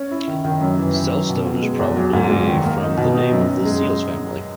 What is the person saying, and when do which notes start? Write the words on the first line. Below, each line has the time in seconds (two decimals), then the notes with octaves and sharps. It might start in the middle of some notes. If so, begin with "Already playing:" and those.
Zelstone is probably from the name of the Zeals family.
Already playing: C#4
0.11 E4
0.28 D#3
0.45 D#3
0.61 F#2
0.78 E3
0.95 E3
1.12 F#2
1.29 B2
1.46 B2
1.62 G#3
1.79 E2
1.97 F#3
2.13 G#2
2.30 G#2
2.47 D#3
2.64 A#3
2.81 D#4
2.97 B2
3.14 D#4
3.32 F#2
3.48 F#2
3.65 G#3